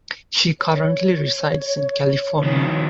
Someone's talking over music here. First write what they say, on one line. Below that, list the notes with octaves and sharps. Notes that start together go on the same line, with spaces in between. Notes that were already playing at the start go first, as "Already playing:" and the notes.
She currently resides in California.
C#5
D#3 F3